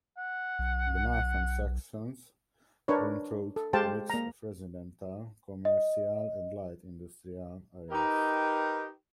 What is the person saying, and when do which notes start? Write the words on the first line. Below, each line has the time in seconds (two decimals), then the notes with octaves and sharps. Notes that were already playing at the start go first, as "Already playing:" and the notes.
The Markham sections run through a mix of residential, commercial and light industrial areas.
0.17 F#5
0.59 B1
2.88 D4 A#4 B4 C#5
3.56 A4
3.73 G#3 G4 C5 F5 G5 A5
4.10 A#3 A#5
5.65 D#5
7.91 D#4 G4 A#4 B4 D#5 G5